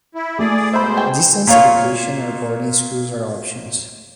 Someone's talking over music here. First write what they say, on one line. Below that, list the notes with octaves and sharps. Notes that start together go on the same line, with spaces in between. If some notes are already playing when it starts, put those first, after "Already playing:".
Distance education or boarding schools are options.
E4
A3 G#4 D5
G#2 B2 C5 E5 B5
G#4 G5
A#2 F4 C#5